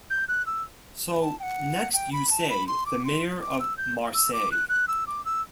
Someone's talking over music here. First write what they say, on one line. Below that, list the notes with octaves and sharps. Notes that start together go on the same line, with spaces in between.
So next you say the Mayor of Marseille.
G6
F#6
E6
A5
G5
F#5
G5
B5
A5
B5
C6
D6
C6
D6
E6
G6
E6
D6
F#6
F#6
E6
D6
E6